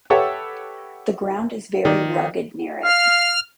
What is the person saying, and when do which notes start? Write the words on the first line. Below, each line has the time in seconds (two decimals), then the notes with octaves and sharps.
The ground is very rugged near it.
0.10 G4 A4 B4 C#5 E5 F#5
1.85 D#3 D5
2.84 F5 F6